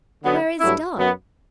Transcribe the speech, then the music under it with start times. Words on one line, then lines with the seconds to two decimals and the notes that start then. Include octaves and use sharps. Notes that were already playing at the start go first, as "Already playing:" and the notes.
"Where is Dot?"
0.23 D3 F#3 B3
0.60 G2 F#3 A3 E4
0.97 F#2 F#3 B3